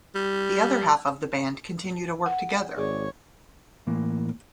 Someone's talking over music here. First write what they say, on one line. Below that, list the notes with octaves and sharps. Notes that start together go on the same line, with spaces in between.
The other half of the band continue to work together.
G3
F#5
G#1 G#4 C#5 D5
A2 E3 A#3